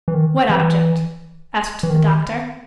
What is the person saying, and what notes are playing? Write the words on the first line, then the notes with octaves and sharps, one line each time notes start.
'What object?' asked the doctor.
E3
D#3
E3
E3
D#3